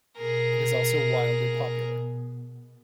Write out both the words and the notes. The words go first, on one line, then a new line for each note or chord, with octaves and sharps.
It is also wildly popular.
B2 G#4 A#4